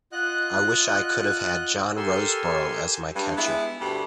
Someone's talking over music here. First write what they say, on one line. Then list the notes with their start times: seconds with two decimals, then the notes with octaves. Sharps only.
I wish I could have had John Roseboro as my catcher.
0.12 F4 D#5 F#5 F#6
1.97 G4 A4 A#4 G#5 C6 E6
3.15 G2
3.37 G#3 B3 E4
3.80 D2 G2 G3